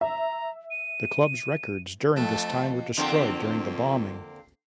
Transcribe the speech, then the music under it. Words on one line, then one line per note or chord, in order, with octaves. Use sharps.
The club's records during this time were destroyed during the bombing.
E5 A#5
D#7
F2 A3
F2 D3 A#3 C4